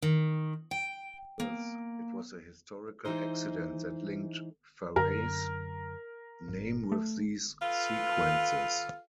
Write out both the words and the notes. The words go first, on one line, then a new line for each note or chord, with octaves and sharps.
Thus it was a historical accident that linked Farey's name with these sequences.
D#3
G5
A#3
E3 G#3 D#4 C5
F#2 D3 A#4
G#1
A3
F4 A4 B4 F5